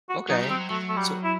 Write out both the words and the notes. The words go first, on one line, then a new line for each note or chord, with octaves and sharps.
Okay. So
F#4
F#3 D#4
G3
C4
F#3
F#3 A3
A3
G3
E4